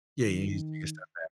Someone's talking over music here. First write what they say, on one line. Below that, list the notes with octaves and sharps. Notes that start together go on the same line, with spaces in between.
Yeah. You used to go step back.
D#3